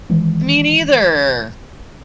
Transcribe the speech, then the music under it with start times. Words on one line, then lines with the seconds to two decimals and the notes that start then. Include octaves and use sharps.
Me neither!
0.10 D#3 E3 G#3